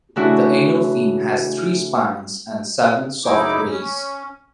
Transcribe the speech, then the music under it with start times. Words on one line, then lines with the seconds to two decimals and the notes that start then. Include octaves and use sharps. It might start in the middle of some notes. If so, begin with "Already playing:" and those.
The anal fin has three spines and seven soft rays.
0.16 C#3 E3 A3 D4 E4 F#4
3.24 F#2 C#3 D#4 E4 D6
3.67 C#4